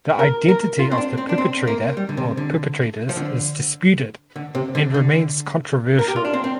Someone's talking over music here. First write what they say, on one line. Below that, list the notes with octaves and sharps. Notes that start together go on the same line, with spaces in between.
The identity of the perpetrator or perpetrators is disputed and remains controversial.
A#4
A#4
F4
C4
D4
C4
D4
C4
A#3
G3
D3
C3
D3
F3
D3
D3
C3
D3
D3
A#4
G4
F4
D4
C4
C4